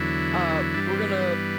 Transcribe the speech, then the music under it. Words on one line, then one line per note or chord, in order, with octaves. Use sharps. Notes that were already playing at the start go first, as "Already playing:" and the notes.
Uh, we're gonna,
Already playing: E2 D3 F#3 E4
G2 E3 G3 D4
C4
B3
C4
B3